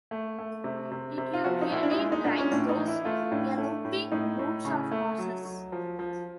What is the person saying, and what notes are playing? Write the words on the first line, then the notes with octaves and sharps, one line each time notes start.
Did you really drive those galloping brutes of horses?
A3
A3
C3
C3
C3
F4
F3 F#4
D#4
A#2 E4
D4
D#4
G#3 E4
D#4
A#2 D4
C#4
A2 D4
D#4
E3
E4
A3 F4
A2 D4
A3
A2
A2 D#4
A2
C#3
A3
F#3
F#3
F3
F3